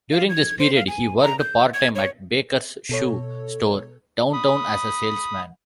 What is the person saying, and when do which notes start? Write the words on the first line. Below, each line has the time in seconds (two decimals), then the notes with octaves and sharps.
During this period he worked part-time at Baker's Shoe Store downtown, as a salesman.
0.12 F5
0.29 G#6
0.59 C5
0.76 F5
0.88 G#5
1.22 A#5
1.39 G6
1.74 G#6
1.95 C#5
2.89 B2 A4 C#5
4.33 B5 D#6